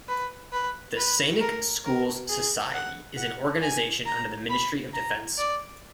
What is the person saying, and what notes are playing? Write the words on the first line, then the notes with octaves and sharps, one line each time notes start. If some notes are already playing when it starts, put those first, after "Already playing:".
The Sainik Schools Society is an organization under the Ministry of Defence.
B4
B4
B4
A#4
A#4
G#4
F#5
F#5
G#5
A#5
B5
A#5
D5